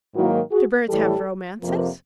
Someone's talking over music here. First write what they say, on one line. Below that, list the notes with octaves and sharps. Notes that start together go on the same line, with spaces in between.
Do birds have romances?
G#2 D#3 F#3 A#3 E4 F#4
F#4 G#4
A2 E3 G3 G4 A4
F2 C3 F3 A#3